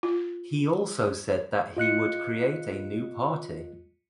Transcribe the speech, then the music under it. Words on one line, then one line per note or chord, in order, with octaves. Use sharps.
He also said that he would create a new party.
F4
F4 D#5 F#6 C#7